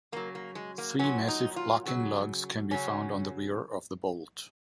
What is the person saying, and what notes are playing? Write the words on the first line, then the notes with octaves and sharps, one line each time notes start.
Three massive locking lugs can be found on the rear of the bolt.
C#3 F#3 A#3
A#3
G#3
A#3
A#2 F#3 C#4
D#4
F4
C#3 F#3
C#3 F#3 C#4